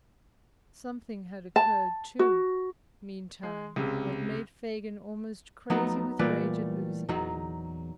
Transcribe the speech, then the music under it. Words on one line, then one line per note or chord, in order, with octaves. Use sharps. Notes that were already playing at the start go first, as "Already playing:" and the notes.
Something had occurred, too, meantime, that made Fagin almost crazy with rage at losing him.
A5
F#4
G#3
C#2 C3
F3 F#3 A3 B3 D#4
A#2 E3 G3 A3 B4 D5
E2 F#3 D#4